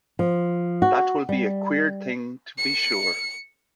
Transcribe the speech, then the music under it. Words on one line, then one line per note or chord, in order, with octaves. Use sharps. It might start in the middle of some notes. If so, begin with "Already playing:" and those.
That will be a queer thing, to be sure!
F3
F#4
G3
C#7